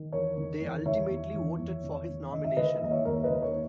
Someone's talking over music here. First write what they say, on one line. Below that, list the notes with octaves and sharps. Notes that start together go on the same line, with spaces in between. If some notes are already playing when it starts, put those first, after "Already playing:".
They ultimately voted for his nomination.
Already playing: D#3
E2 A#4 C#5
D#3
E2
D#3 C#5 E5
E2
E2
E2
D#3
D#3
D#3 D#5
E5
D#3 B4 D#5
E5
D#2 D#5
C#5 E5
D#2 A#4 C#5
B4 D#5
D#3
A#4 C#5